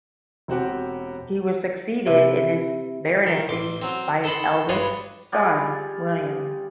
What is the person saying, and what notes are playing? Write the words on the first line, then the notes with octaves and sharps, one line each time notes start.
He was succeeded in his baronetcy by his eldest son William.
E1 C4 F#4 G4
C3 E4
D#3
A1 C6 D6
F#3 C4
A4 D#5 A5 B5 C6
G2 D4 B4 C#5 C6 D#6
G3 F4 G4 G#4